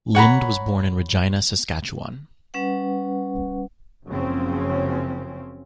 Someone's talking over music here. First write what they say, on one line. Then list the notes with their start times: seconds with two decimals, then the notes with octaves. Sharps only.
Lind was born in Regina, Saskatchewan.
0.15 C#5 F#5 A#5 B5
2.54 G3 C#4 B4 F#5
4.07 F#1 F#2 C#3 F3 C4 C#4